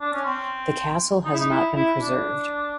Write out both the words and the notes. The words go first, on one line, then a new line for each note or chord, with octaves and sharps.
The castle has not been preserved.
D4
C#4
C4
D#4
E4
D#4
E4
E4
D4